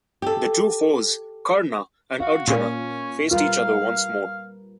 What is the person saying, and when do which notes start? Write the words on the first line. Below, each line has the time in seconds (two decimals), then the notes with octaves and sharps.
The two foes, Karna and Arjuna faced each other once more.
0.22 G4 A4
2.20 F#4 F5
2.48 A#2 C#4
3.31 G3 F4 A#4 B4 F5